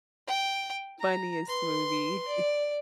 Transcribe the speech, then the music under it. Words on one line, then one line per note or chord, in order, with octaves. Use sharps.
funniest movie.
G5
A#5
B4 C6
D5